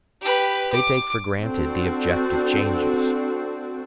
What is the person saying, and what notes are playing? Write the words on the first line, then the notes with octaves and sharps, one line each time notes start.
They take for granted the objective changes.
G4 B4
D6
C4 D4 F#4 A4